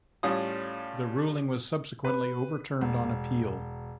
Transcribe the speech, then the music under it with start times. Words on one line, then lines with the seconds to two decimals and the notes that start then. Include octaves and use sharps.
The ruling was subsequently overturned on appeal.
0.23 A2 G3 C#4 F4 D#6
2.05 B4
2.81 E1